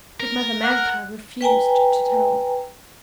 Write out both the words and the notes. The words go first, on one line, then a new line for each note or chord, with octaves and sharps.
But Mother Magpie refused to tell.
A#4
F#5
B4 G5 G#5 A#5